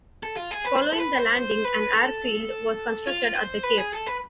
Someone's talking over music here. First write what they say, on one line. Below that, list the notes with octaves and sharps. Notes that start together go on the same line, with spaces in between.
Following the landing, an airfield was constructed at the cape.
A4
F4
G#4
B4
C5
A4
B4
C5
C5
B4
A4
F4
C5
B4
G#4
A4
B4